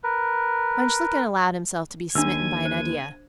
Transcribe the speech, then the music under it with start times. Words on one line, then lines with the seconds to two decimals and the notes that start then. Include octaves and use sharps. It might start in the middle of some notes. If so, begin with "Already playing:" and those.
Von Schlichten allowed himself to be smitten by an idea.
0.04 A#4 B4
2.15 D#2 D4 E6 G#6 D#7
2.65 C5